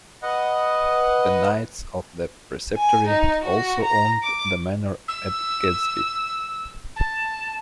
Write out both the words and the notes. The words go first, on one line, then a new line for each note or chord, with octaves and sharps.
The knights of the preceptory also owned the Manor at Gaddesby.
B4 D#5 F#5
G#5
D#4
F#4
A#5
D6
E6
A5